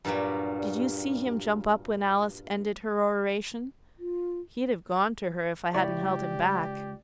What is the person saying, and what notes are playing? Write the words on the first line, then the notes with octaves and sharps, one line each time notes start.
Did you see him jump up when Alice ended her oration? He'd have gone to her if I hadn't held him back.
G2 A#2 F#3 G3
F4
C#2 E4 G4 C#5 D5